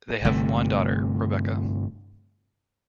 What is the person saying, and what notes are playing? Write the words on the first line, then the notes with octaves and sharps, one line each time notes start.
They have one daughter, Rebecca.
G1 C3 A3